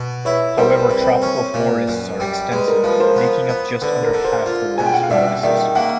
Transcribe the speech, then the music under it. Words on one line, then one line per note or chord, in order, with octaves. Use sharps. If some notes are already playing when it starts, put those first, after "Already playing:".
However Tropical Forests are extensive, making up just under half the world's forests.
Already playing: B2
E4 B4 C#5
G3 A#4 C5
B4
C3
B4
C#4
A#2
F#2
G3
G#3 B4
A#4
F3 B4
A#4 C5
B3
B3
D3 B4
A#4
D3
A#4 C5
F4
B2 G#5
G5
F#5
F5
G2 D5 E5
D#3 D5 E5
A#3 E5 F#5